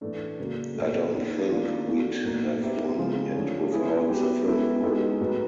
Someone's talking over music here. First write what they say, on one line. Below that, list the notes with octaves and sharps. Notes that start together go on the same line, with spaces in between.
I don't think we'd have won it without the film crew.
A2 E3 A3 D4
C#3 F#3 A#3
A#2 F#3 A3
A#3 D#4 G#4
D#3 F#3 A#3 D4 F4
A3 D4 F#4
A#2 F#3 A#3 D#4
B3 D#4 G4 C5 E5
C#3 F3 G#3 C4 F4
D3 F3 A3 C#4
B3 E4 G#4
F#3 B3 E4 G4
G#3 B3 E4 A4
G#3 B3 D#4 F#4 A4
A2 F#3 B3